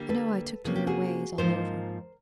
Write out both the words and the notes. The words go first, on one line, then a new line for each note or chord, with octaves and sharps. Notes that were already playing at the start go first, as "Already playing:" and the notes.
I know I took to their ways all over.'
Already playing: D3 G3 A#3 D4
A4 B4
C3 F3 A#3 C#4 G#4
G4
F#4 G#4
G#2 F3 A#3 D#4 A#4 C5